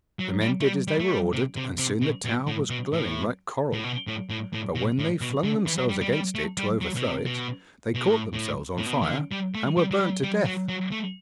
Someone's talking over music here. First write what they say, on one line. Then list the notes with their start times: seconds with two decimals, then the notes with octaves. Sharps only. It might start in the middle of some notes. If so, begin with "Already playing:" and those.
The men did as they were ordered, and soon the tower was glowing like coral, but when they flung themselves against it to overthrow it, they caught themselves on fire and were burnt to death.
0.19 F#3
0.41 G3
0.61 A3
0.64 G3
0.88 G3
1.00 A3
1.11 G3
1.33 C3
1.56 C3
1.78 C3
2.01 B2
2.25 B2
2.47 A2
2.70 B2
2.93 A2
3.73 A2
3.84 B2
4.07 A2
4.30 A2
4.53 A2
4.75 B2
4.99 A2
5.21 B2
5.43 D3
5.66 E3
5.78 F#3
5.89 G3
6.01 G3
6.12 G3
6.35 A3
6.58 G3
6.81 F#3
6.96 B2
7.04 C3
7.26 B2
7.95 B2
8.07 A2
8.33 A2
8.78 A2
8.86 B2
9.02 E3
9.08 D3
9.32 G3
9.55 A3
9.77 G3
9.91 F#3
10.00 G3
10.23 G3
10.45 F#3
10.69 F#3
10.91 A3